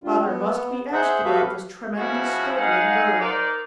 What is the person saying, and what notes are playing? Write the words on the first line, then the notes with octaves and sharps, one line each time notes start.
Father must be asked about this tremendous, startling bird.
G3 D4 F4
B3
G#4 C5 E5 F#5
F#4 G4 A4 B4 E5 F5
C#3 F3 G3 E4 F#4
G#3 D#4 F5 F#5
D#4 A#4 C5 D5